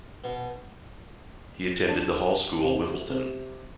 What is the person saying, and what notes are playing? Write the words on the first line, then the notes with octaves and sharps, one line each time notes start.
He attended the Hall School Wimbledon.
B2
D4
C3
C3